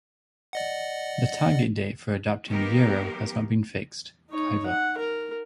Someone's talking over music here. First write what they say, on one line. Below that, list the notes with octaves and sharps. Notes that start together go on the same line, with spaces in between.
The target date for adapting the Euro has not been fixed, either.
D5 D#5 F#5
D#3 F#3 A#3 B3 G4 A#4
D#4 C#5
F#5
A#4